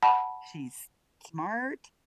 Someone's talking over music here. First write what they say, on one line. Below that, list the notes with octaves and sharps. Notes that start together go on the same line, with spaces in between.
she's smart,
F#5 A5 B5